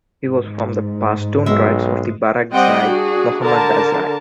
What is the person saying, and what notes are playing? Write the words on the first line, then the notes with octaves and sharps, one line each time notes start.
He was from the Pashtun tribe of Barakzai Mohammedzai.
G#2
B1 G#3 E5
G3 C4 C5 D#5 F#5 G5
D4 F#4 G#4
D3 A#4 A5